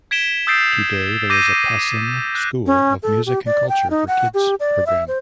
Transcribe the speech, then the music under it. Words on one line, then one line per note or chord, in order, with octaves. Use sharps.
Today there is a Passim School of Music and Culture for Kids program.
G#6 B6 D7 E7 G7
D#6 E6 G6 A6 C7 D7
D6 G6 A#6 D#7
F#6
C#4
A4
G4
D5
G5
D#4
F#5
G4
D5
E5
C5